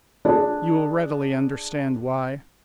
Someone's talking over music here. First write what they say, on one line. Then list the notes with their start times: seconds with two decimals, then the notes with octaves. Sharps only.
You will readily understand why.
0.25 D4 G#4